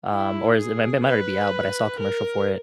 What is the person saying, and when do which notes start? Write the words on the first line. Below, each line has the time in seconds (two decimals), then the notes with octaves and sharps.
um, or is it might it might already be out, but I saw a commercial for it,
0.11 E4
0.58 G#4
1.05 B4
2.00 A#4